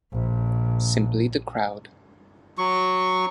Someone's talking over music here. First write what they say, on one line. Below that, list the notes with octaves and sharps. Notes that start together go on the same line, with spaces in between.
Simply the crowd.
A#1
F#3 C#6